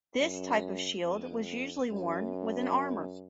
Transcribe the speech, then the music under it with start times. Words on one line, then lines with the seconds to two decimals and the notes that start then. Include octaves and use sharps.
This type of shield was usually worn with an armor.
0.21 F#2
1.04 F2
1.88 F#2